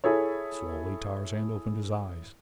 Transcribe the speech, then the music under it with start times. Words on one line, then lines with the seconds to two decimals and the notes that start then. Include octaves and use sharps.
Slowly Tarzan opened his eyes.
0.04 E4 G#4 A4 C#5